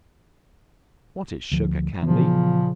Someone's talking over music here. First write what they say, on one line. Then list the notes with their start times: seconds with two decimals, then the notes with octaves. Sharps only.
What is Sugar Candy?
1.52 D2 F3
2.03 A#2 C#3 E3 F3 B3